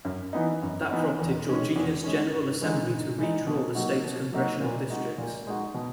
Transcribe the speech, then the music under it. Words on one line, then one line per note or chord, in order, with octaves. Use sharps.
That prompted Georgia's General Assembly to re-draw the state's congressional districts.
F#2
E3 B3 D#4
F#2
E3 B3 D#4
E2
D#3 G#3 C#4
E2
D#3 G#3 C#4
G#2
E3 G#3 D#4
G#2
E3 G#3 D#4
B2
F#3 A#3 D#4 F#4
B2
F#3 A#3 D#4 F#4
A#2
G#3 D#4 F#4
A#2
G#3 D#4 F#4
B2